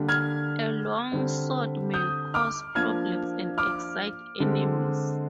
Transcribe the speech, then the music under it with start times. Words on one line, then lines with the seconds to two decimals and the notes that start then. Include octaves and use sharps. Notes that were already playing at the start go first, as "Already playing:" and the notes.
A long sword may cause problems and excite enemies.
Already playing: D3 G3 A#3 D4
0.09 F6 G#6
1.12 D3 G3 C4
1.94 D#6 G6
2.34 D6 F6
2.75 F3 A#3 D4 F6 G#6
3.58 D6 F6
4.40 D3 G#3 C4